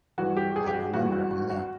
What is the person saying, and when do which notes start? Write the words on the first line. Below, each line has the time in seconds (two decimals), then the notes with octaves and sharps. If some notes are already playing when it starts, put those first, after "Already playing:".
I remember, yeah.
0.18 G#1 G2 E3 F#4
0.37 G4
0.56 G#4
0.67 G4
0.74 F#4
0.94 G#1 G2 E3 F#4
1.12 F#4
1.31 F#4
1.50 F#4